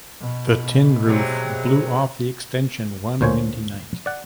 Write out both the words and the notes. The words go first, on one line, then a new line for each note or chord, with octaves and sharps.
The tin roof blew off the extension one windy night.
B2
C3 F#3 G#3
D2 A#2 C5 C#5 G#5
D5 F#5